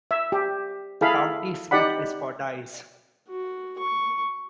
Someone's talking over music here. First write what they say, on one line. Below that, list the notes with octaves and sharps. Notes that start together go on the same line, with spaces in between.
The county seat is Fordyce.
E5
G4
E4 G#4 A4 F5 B5
D#4 G4 D5 F#5 B5
F#4
C#6